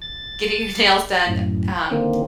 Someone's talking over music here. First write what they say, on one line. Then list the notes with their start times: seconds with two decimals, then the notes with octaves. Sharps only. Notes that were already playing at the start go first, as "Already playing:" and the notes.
getting your nails done, um
0.02 A6
1.27 F#2 A2
1.91 D3 D#3 A#3 C4